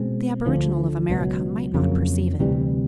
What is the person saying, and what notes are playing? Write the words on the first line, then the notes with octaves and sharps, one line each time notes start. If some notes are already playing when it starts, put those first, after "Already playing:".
The aboriginal of America might not perceive it.
Already playing: B2 G#3 C4
D2 D3 F3
C#2 B2 F#3
F2 C#3 F#3 A#3
D2 C3 E3 G3